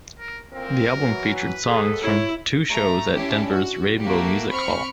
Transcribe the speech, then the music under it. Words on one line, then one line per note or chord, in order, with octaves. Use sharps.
The album featured songs from two shows at Denver's Rainbow Music Hall.
A#4
D2 A#2 C4 A#4
E3 F#3
B4
D#2 G#2 G#4 A4
E4 C#5
A3 A#5
C#4 D4 E4 G4
F#4
A3 A#3 F#4 G4
C4 B5 C#6 F6 C#7